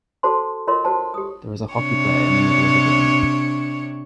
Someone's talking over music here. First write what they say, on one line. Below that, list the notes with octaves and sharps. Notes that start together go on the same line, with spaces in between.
There is a hockey player in the middle of a game.
F#4 A4 C5 A5 C6
F4 A#4 C#5 D#5 C6
F#4 C5 A5
G4 D#6
C3 D4 C#5